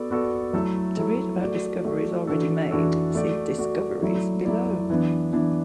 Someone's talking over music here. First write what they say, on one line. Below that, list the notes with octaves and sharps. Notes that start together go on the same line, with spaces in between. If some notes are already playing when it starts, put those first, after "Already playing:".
To read about discoveries already made, see "Discoveries" below.
Already playing: B3 F#4 A4 D5
B3 F#4 A4 D5
F#3 A3 E4 A4
F#3 A3 E4 A4
A3 F#4 D5
A3 F#4 D5
E3 D4 F#4 A4
E3 D4 F#4 A4
A3 F#4 D5
A3 F#4 D5
F#3 A3 E4 D5
F#3 A3 E4 D5
E3 B3 D4
E3 B3 D4